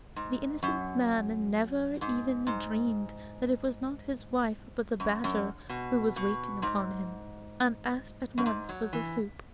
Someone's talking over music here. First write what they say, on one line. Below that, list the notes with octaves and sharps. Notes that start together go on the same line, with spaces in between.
The innocent man never even dreamed that it was not his wife but the badger who was waiting upon him, and asked at once for the soup.
G#2
F#2
G#2
G#2
F#2
F#2
B2
B2
G#2
F#2
G#2
F#3
E3